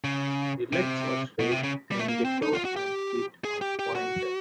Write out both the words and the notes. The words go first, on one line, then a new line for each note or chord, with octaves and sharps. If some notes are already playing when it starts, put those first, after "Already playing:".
The legs are straight, and the toes and feet are pointed.
C#3
C3
B2
C3
C#3
G3
A3
A#3
C4
D#4
F4
F#4
G4
G#4
G4
G4
F#4